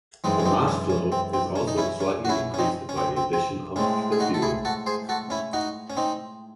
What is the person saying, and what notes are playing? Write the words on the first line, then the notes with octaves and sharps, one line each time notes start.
The mass flow is also slightly increased by the addition of the fuel.
F#2 E3 G#3 C4 D#4
C#4
C4 D#4
C#4
C#4
C4
C4
C#4
D#4
C#4 E4
C#4
F#4
C#4 E4
C#4
C4 D#4
C#4
C4
C4
C4
A2 G#3 C4 C#4
G#4
D#4 F#4
A4
E4 G#4
F#4 A4
G#4 C5
F#4 A4
C#4 E4
D#4 F#4
C#4
C4 D#4